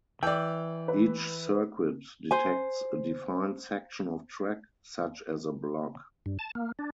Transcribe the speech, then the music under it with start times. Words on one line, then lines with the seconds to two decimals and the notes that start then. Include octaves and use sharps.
Each circuit detects a defined section of track, such as a block.
0.23 E3 D5 G5
0.88 B4
2.31 C5 G#5
6.26 G2
6.39 A5
6.55 A#3
6.79 D4